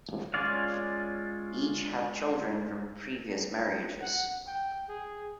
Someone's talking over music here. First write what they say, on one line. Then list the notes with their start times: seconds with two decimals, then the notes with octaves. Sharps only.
Each have children from previous marriages.
0.34 G#3 C#4 F4 D5 F5
4.01 F#5
4.47 G5
4.89 G#4